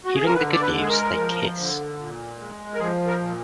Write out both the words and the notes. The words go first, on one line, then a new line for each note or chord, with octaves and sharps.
Hearing the good news they kiss.
F#4
G#4
A#4
D3 B4
D5
B4
G#3
G#4
A#4
F3
D3
A#2
G#3
A#4
F3 G#4
A#4
A#2